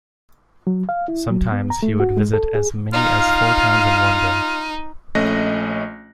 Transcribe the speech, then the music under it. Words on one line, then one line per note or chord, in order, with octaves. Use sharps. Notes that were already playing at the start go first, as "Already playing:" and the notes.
Sometimes he would visit as many as four towns in one day.
F#3
F5
E4
F#3
B3
A#5
A3
F#4
G#3
A4
G#4
D#4 F4 F5
A#1 A3 C#4 D#5 F#6 A#6